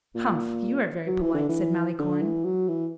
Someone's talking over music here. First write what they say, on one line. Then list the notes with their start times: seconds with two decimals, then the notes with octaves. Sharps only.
"Humph! you are very polite!" said Malicorne.
0.15 A#2
1.07 F#3
1.21 E3
1.35 D3
1.49 E3
1.99 D3
2.22 E3
2.44 F#3
2.68 E3